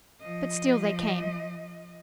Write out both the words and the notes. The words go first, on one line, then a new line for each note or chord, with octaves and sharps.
But still they came.
F3 D#5